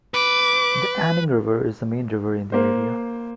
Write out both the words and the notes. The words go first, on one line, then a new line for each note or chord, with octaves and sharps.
The Anning River is the main river in the area.
B4 D6
A#3 C5